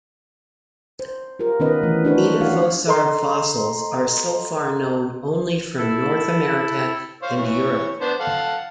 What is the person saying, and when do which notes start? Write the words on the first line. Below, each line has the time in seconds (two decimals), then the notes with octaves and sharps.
Edaphosaur fossils are so far known only from North America and Europe.
1.00 C5
1.39 F4 G4 A#4
1.60 D#3 B3 C#4 F4 B4 D#5
1.82 E3 A3
2.05 D4 F#4 B4 C5
2.41 E4 F#4 C#5 E5 F5
2.87 A4 D#5 A#5 C6
5.78 E4 A4
7.22 C5 C#5 F5
7.38 E3 C#5
8.01 B3 D4 C5
8.20 A4 F5 F#5